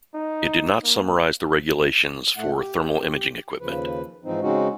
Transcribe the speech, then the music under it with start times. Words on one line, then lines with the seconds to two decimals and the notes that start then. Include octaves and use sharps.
It did not summarize the regulations for thermal-imaging equipment.
0.14 D#4
0.83 A#3
2.37 A2 A3 F#5
2.58 G4
3.60 D#2 C#3 F3 B4
4.24 G#2 E3 F3 C4 D#4
4.42 C#3 G#3 C4 C#4 D#4 F#4